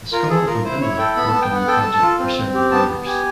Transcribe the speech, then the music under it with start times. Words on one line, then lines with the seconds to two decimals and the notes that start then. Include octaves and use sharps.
The scholar from Imola worked on the project for several years.
0.12 F4 A#4
0.29 G#4 A4
0.47 F4 A#4
0.64 E4 C5
0.81 E4 C#5
0.98 A4 G5
1.16 B3 B5
1.29 B3 A5
1.41 G5
1.50 B3 F#5
1.67 A4 G5
1.80 A5
1.85 A4
1.94 A5
2.02 F4
2.19 C4
2.36 C4
2.54 G4
2.71 B3 A5
2.89 B3
3.06 G4 G#5